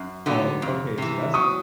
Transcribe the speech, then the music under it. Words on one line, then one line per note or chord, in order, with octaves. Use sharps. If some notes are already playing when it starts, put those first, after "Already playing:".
Oh, an okay, so that's
Already playing: F#2
D3 F#3 B3 D#4
F2
C3 E3
F#3 C#6 D#6